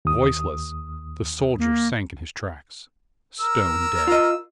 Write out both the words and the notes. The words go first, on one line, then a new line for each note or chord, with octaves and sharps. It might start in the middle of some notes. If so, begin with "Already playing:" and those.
Voiceless, the soldier sank in his tracks--stone dead.
D#2 D#6
A#3
A#4 E6
F4 D#5